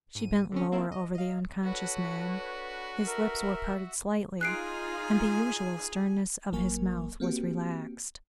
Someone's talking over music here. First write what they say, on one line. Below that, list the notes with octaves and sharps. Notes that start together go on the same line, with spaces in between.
She bent lower over the unconscious man; his lips were parted slightly, and the usual sternness of his mouth was relaxed.
G#2 D#7
D3 C4 C#4
A#3 C4 E4 F4
D#5
D#5 F5
D4 F#4 A4 B4 C#5
A#4 E5
D#4 F4 G#4 G#5 F#6 C7 D7
G#1 F#3 A#3 A#4 G#5 C#6
A#3 C4 F#4 G4